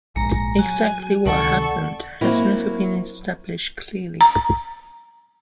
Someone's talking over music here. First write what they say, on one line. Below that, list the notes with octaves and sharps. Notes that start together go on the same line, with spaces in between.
Exactly what happened has never been established clearly.
A#1 G#2 G#3 A#5
F#3 F#4 G#5
C#2 C3 D#3 A4 D5 F#5 C#6
F#3 A#3 C4 E4
A#5